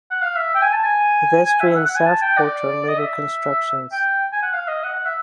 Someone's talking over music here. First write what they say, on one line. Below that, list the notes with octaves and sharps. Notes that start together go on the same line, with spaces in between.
The vestry and south porch are later constructions.
F#5
F5
E5
G5
G#5
A5
G#5
G#5
E5
F#5
F#5
G#5
A5
G5
D5
D#5
E5
G5
G#5
F#5
F5
D#5
F#5
F#5
E5